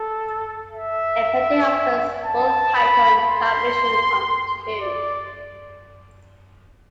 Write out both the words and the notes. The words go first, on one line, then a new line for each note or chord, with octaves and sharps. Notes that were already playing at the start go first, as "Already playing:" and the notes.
A petty officer's full title is a combination of the two.
Already playing: A4
E5
A5
B5
C6
D5